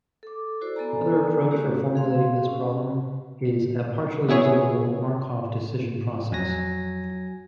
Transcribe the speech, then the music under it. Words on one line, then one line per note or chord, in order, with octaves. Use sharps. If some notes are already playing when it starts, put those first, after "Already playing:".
Another approach for formulating this problem is a partially observable Markov decision process.
A4 D6
E4 F#4 A4 C5 D5
B3 A4 D5 G#5 A#5
A3 C#4 F#4 G4
G#4 F5 C6
C#4
B3 E4 G#4 C#5
F2 F#3 G#5 A#6